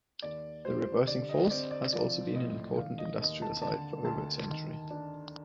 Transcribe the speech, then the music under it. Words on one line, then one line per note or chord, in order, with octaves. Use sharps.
The Reversing Falls has also been an important industrial site for over a century.
D#2 D5
G3 C5
D3 D5
D#5
C4 D5
D5
F3 D5
A2 D#5
D#3 F5
D#5
D#2 D#5
A5
D3 A5
D2 A5
D#3
D4